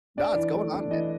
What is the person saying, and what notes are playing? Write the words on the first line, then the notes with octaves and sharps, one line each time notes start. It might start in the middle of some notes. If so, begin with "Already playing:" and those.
No, it's going on, man.
D4 D5
E3
A3
D4
E3 D#5